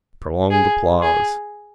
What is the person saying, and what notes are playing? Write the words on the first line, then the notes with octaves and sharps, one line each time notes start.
Prolonged applause.
G#4
G#4